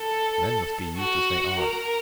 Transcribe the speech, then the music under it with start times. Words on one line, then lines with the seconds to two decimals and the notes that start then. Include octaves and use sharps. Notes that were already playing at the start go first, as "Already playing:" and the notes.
Men must be used as they are.
Already playing: A4
0.98 F#4
1.60 A#4